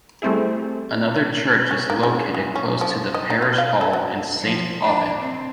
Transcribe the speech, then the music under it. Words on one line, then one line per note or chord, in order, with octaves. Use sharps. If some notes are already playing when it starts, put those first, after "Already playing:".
Another church is located close to the Parish Hall in Saint Aubin.
G3 A3 C4 E4 G#4
C#4
A#3
C#3
E3
C#4
F3
D#5
D#4
F4
F5
A4
F#3
F3
D4
C4